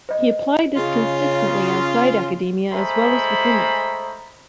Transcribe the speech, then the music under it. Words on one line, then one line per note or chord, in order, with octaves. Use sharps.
He applied this consistently outside academia as well as within it.
C5 D#5
C#3 F4
G#3 A3 C5 G#5 A#5 B5